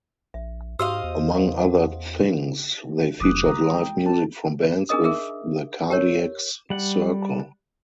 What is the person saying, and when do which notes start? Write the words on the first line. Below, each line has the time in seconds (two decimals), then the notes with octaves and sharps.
Among other things, they featured live music from bands within the Cardiacs circle.
0.34 A#1 E5
0.79 G#2 F#4 G4 C5 D#5 F5 E6
1.04 E2
1.60 F#5
3.20 F1 F#3 D6 D#6 F#6
3.46 G#3 A#5 D#6
3.74 G5
4.06 C4 A5
4.89 D4 D#4 G#4 A#4 D#5 D#6
5.04 G#4 A#4 E5
5.90 G4 A#4 C#5
6.70 G3 F#5